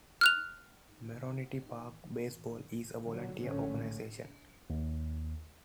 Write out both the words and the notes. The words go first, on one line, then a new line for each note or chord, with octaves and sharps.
Merrionette Park Baseball is a volunteer organization.
F6 F#6 F7
D3 F#3
A#1 A2 D3 A3 C#4
D#2